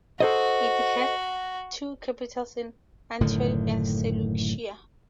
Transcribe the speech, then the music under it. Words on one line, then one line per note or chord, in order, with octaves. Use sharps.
It had two capitals in Antioch and Seleucia.
F#4 A4 C5 D#5
F#1 A2 D3 D#3